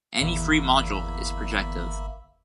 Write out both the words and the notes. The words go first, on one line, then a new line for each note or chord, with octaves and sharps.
Any free module is projective.
G1 E2 A#3 E5 B5